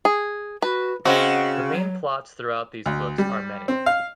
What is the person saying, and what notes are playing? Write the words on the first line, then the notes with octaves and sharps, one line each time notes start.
The main plots throughout these books are many.
G#4
F#4 B4
C#3 C4 F#4 D#5
F#3
D2
G3
C4
F5